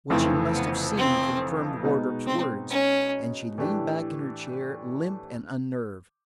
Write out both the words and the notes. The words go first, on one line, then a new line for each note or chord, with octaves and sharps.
What she must have seen confirmed Wardrop's words, and she leaned back in her chair, limp and unnerved.
F1 F2 C#3 E3 A3 C4
B3
C4
B2 G#3 B3 D#4
C4
C#4
A2 E3 A3 D4 G4